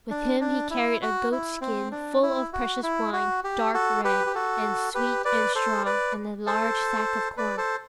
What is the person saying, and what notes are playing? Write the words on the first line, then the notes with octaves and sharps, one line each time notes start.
With him he carried a goat-skin full of precious wine, dark red, and sweet and strong, and a large sack of corn.
D4
D4
E4
F#4
E4
C4
D4
E4
F#4
E4
F#4
G4
F#4 A4
G4 B4
G4
F#4 A4
G4 B4
B4 D5
A4 C5
B4 D5
A4 C5
B4 D5
A4 C5